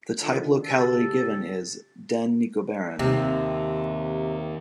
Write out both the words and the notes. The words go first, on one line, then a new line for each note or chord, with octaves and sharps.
The type locality given is "den Nikobaren".
D3 D#3 F4
C#3 G4 A4
D#2 C3